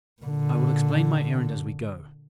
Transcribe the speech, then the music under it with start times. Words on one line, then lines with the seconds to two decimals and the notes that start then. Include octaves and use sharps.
I will explain my errand as we go.
0.22 A#2 D3